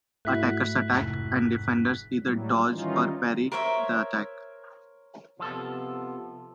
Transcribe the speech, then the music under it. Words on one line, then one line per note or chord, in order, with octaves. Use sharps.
Attackers attack, and Defenders either Dodge or Parry the attack.
G#2 A3 E4 F#4 F#6 B6 F#7
F1
A2 F#3 G3
D#3 E3 G3 C#4 D#4 F4
A#4 C5 C#5 E5
C3 F3 B3 F4 A4